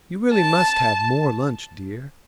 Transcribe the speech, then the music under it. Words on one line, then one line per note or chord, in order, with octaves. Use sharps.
'You really must have more lunch, dear.
A5